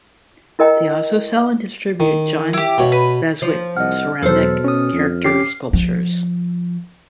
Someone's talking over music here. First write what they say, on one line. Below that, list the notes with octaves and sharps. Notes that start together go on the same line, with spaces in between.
They also sell and distribute John Beswick ceramic character sculptures.
E4 A#4 D#5 G5 A#5
D#3
E4 G4
B2 C#5
B4
F3
C2 D#5 F#5 F6
E2 B2 F#3 A4 C5
C#4 D#6
F2
C#4 G4 D6 C7
F3